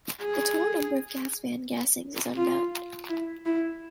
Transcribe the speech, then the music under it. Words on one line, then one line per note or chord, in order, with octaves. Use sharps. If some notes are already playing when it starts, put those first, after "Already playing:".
The total number of gas van gassings is unknown.
G#4
F4
E4
E4